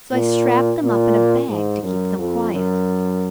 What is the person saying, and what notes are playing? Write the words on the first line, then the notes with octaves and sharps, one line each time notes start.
So I strapped them up in a bag to keep them quiet.
A#2
A#2
G#2
F#2
F2
F#2